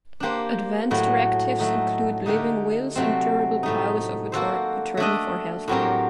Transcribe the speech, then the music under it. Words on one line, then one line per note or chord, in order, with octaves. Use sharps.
Advance directives include living wills and durable powers of attorney for health care.
A#3 D4 G4 C5
A2 F#3 A3
F#3 A3 D#4
D3 A3 D#4 G4 A#4
C3 F#3 A3 C4
A2 A3 D#4
A#3 F#4 A4 C5
A3 D4 A4 D#5
A2 F#3 C4 G4 A#4